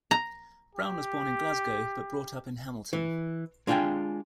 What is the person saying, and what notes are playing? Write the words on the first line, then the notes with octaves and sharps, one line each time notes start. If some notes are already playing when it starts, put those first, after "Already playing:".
Brown was born in Glasgow, but brought up in Hamilton.
A#5
G4
E3
G#3 D4 F4 F#4 G5 G#5